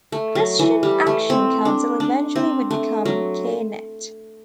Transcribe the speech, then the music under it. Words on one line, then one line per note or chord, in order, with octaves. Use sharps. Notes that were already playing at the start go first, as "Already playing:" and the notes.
Christian Action Council eventually would become Care Net.
A3
F#3
E3
G3
A3
C4
D4
D4
C4
A3
F#3